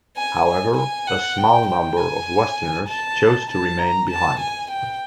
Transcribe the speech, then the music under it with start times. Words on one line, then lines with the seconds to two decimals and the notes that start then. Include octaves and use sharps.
However, a small number of Westerners chose to remain behind.
0.17 G#5
0.46 G#5
0.77 G#5
1.07 F#5
1.37 G5
1.67 G5
1.97 G#5
2.88 A5
3.49 A5
3.79 A#5
4.10 A5
4.40 G#5
4.71 G5